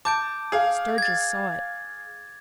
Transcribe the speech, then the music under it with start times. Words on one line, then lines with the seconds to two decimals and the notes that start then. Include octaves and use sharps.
Sturgis saw it.
0.05 A5 D6 G6 D7
0.52 G#4 F5
0.98 G#6 A6